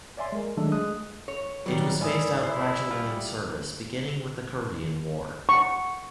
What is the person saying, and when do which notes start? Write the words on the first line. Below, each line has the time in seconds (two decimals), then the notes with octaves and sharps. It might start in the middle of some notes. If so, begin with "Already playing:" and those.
It was phased out gradually in service beginning with the Korean War.
0.17 C#5 D5 E5 G#5 C6
0.32 G#3 A#4
0.57 D#3 F#3 G#3 A3 D4 A4
0.72 G#3 D#6 F#6
1.28 C#5
1.66 D#3 F#3 G3
2.01 G#2 E4 D5 G#5 D#6
2.43 E4 C5
2.90 G3 F4
5.49 C#6